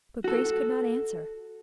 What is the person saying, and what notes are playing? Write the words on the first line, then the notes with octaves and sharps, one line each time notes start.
But Grace could not answer.
F#4 A4